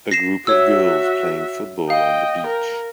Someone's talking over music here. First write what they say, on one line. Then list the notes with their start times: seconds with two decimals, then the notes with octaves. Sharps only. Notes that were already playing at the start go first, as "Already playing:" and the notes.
A group of girls playing football on the beach.
0.11 A#6 C7 E7
0.47 F#4 C#5 E5 E6
1.90 D#5 F5 G5
2.47 A#4